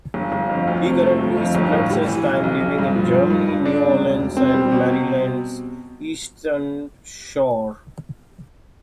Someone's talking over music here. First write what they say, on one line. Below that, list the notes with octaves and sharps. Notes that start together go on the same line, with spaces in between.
He currently splits his time living in Germany, New Orleans, and Maryland's Eastern Shore.
G1
G1
F2
D2
C3
A3
G1
F2
G1
A2
G3
E3
B1
B1
B1
G2
F3
G2
G2
G2
D4
C3
E1
E1
C4
G3
B2
C3